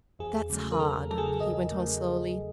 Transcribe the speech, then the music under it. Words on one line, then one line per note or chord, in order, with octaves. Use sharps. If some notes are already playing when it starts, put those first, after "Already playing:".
'That's hard,' he went on, slowly.
E2 G#4
C#3 F#3 A3
A#4
E2 A4
C#3 F#3 A3 A4
G#4
A4
E2 D#5
C#3 F#3 A3